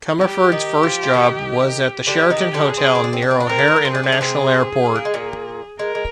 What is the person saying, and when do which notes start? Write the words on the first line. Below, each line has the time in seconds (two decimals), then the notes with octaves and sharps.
Comerford's first job was at the Sheraton Hotel near O'Hare International Airport.
0.21 G3 G4
0.52 D#3 D#4
0.83 F3 F4
1.03 F4
1.14 D#3 D#4
2.07 D3 D4 G4
2.30 D#3 D#4
2.39 G4
2.54 D3 D4
2.69 G#4
2.77 C4
2.86 D4
2.95 C4
3.04 D4
3.13 C4
3.22 D4
3.31 C4
3.40 D4
3.47 C4 A#4
3.58 D4
3.68 C4
3.76 D4
3.85 C4
3.94 D4 G#4
4.03 C4
4.12 D4
4.21 C3 C4
4.86 C4
4.96 A#3
5.05 G#3
5.14 A#2 A#3
5.79 G#3 A#4
5.95 G#3